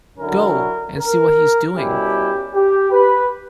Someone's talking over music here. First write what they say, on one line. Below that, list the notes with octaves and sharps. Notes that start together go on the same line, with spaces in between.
Go and see what he is doing.
D3 F#3 C#4 E4 A#4
A#4
B2 G3 C#4 E4 G4
G4
B4